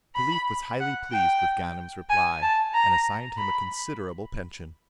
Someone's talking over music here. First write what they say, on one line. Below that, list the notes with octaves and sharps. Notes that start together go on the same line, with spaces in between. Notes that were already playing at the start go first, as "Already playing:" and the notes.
The caliph was highly pleased with Ganem's reply, and assigned him a considerable pension.
B5
F#5
G5
G#5
A5
A#5
B5